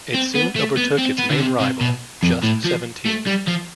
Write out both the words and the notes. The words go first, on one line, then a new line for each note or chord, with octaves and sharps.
It soon overtook its main rival, Just Seventeen.
C4
B3
A3
B3
C4
B3
D3
C3
C3
B2
F2
A2
F3
A3
G3
F3